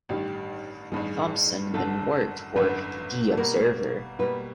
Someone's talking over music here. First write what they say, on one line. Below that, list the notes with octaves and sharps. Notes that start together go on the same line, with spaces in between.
Thompson then worked for "The Observer".
A1 G2 D#3 G4
A1 G2 D#3 G#4
G#1 F#2 D3 A4
G#1 F#2 D3 B4
A4
B2 G3 A#3 A#4
B2 G3 A#3 B4